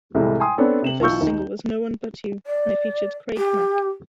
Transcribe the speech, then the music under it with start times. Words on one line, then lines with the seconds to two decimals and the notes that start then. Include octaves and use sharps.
The first single was "No One But You" and it featured Craig Mack.
0.14 C2 A2 C3 E3 G#3 A3
0.40 G5 G#5 C6 D#6
0.58 B3 C4 D4 A4 C#5
0.82 C3 E7 F#7
1.00 B1 E3 F4 C#6 E6 G6
1.20 D#2 D#3 D#4
2.46 D5
3.37 G4